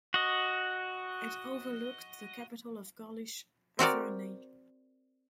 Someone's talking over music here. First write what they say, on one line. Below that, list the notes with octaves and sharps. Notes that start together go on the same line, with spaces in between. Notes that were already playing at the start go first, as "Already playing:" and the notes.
It overlooked the capital of Gaulish Avernie.
F#4 D#5
C4 F#4 A#4 D5